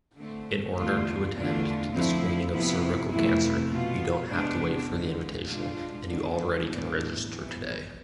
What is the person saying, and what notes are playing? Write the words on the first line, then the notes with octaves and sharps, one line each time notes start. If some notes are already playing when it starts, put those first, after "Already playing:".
In order to attend to the screening of cervical cancer, you don’t have to wait for the invitation and you already can register today.
D3 A3 C4
E2 D3 A3 D4 F4
E2 D3 A3 D4 F4
D3 F3 A3 C4 E4
C3 F3 B3 E4
F2 C3 E3 A3 E4
B2 B3 F4
C3 G#3 B3 D4
F2 D3 G#3
B2 G#3 D4 F4
D3 G#3 B3 D4
A2 E3 B3 D4
F2 E3 B3